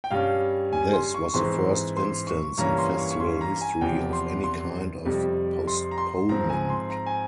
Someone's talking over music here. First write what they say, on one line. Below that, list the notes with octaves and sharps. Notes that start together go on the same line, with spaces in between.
This was the first instance in festival history of any kind of postponement.
G5
G2 G3 C#4 F5
G#5
C6
C#6
G#2 E3 G#3 C4 C6
C6
C#6
G2 E3 A#3 C#4 A#5
C6
C#6
C#6
C6
A#5
G#5
E2 C3 F3 G5
C6
C6
F2 C3 G3
C6
A#5
C6
G#2 F3 C4 A#5
G#5
C6
A#5
G#5